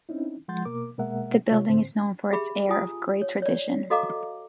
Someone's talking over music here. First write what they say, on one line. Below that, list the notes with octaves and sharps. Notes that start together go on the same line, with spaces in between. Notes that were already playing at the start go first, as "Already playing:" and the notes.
The building is known for its air of great tradition.
C4 C#4 D#4 E4
F3 G#3 F#5 C6 G6 A6
B2 A#3 A#4 D6
B2 G#3 A#3 A#4 E5 F#5
C3 G#3 F4 C#5
A2 D3 C4 C5
G4 G#4 E5 B5
F4 G4 G#5 D#6
C#5
C#5 D5
F#4 A4 D#5 F5 A#5 D6